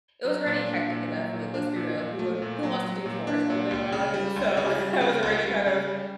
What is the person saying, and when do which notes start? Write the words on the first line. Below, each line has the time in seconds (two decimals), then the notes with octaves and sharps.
it was already hectic enough, like, let's be real, who would who wants to do chores all day long? So I was already kind of,
0.25 F#3
0.46 A#2
0.68 D4
0.90 A#2
1.12 F#3
1.33 A#2
1.54 D4
1.76 A#2
1.97 A#2
2.19 A3
2.42 A#2
2.63 F#3
2.85 F#3
3.06 A#2
3.27 D4
3.50 A#2
3.71 C#2
3.92 C#3
4.14 G3
4.36 C#2
4.57 C#3
4.79 G3
5.01 C#3
5.23 C#2
5.44 G3
5.66 C#3
5.87 G3